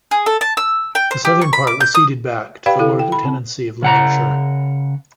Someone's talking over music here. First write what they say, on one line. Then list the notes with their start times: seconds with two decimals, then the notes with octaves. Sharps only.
The southern part was ceded back to the Lord Lieutenancy of Lincolnshire.
0.11 G#4
0.26 A4
0.41 A5
0.57 E6
0.95 G5
1.11 C5
1.25 G4
1.41 C#6
1.53 B5
1.67 D6
1.80 G6
1.95 D#6
2.66 G4 B4 D5 F5 G5 B5
2.79 D3 E4 A4 F5
2.99 G5
3.12 B5
3.25 C4
3.82 C#3 F#5 A#5